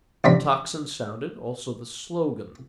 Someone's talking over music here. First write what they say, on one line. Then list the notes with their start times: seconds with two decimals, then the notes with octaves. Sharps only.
The tocsin sounded, also the slogan.
0.24 A1 F2 C3 C4 D4 B5